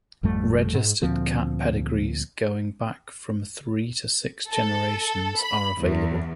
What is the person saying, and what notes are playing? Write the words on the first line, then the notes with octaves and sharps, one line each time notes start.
Registered cat pedigrees going back from three to six generations are available.
G#1 F2 G3 A3
G#2
D2 A#2 F3 C4
A4
B5
E2